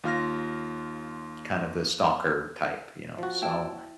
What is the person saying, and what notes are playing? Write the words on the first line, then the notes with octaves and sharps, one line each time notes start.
kind of the stalker type, you know? So,
D#2 F4 F6 A#6
F3 F#4
E4 G5 A5